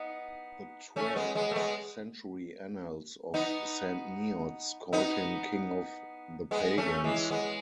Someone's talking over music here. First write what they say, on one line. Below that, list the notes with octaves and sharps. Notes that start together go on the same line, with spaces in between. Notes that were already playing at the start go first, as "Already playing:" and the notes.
The twelfth-century Annals of Saint Neots called him "king of the pagans".
Already playing: B3 D#4
A3 C#4
G#3 B3
G#3 B3
A3
G#3 B3
B3 D#4
B3 D#4
G#3 B3
A3 C#4
E3 G#3
G#3 B3